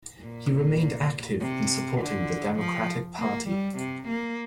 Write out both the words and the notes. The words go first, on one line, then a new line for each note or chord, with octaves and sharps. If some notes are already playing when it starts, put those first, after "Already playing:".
He remained active in supporting the Democratic Party.
A#2
C3
D3
F3
A#3
G3
C3
A#3